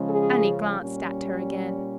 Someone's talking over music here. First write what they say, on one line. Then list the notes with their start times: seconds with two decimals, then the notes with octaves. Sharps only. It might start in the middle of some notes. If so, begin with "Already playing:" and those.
Annie glanced at her again.
Already playing: C#3 F3 G#3 C#4
0.08 G#4
0.78 A#2 G3 C#4